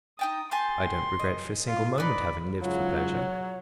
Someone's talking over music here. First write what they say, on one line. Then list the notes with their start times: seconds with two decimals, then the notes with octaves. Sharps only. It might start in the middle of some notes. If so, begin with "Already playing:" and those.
I don't regret for a single moment having lived for pleasure.
0.19 D#4 G5 A5 D#6
0.51 G4 G#5 A5 C6
1.19 D#5
1.67 F4
1.98 D#4 B4 D5 B5
2.62 G#2 C#3 F#3 F4 C#5 F#5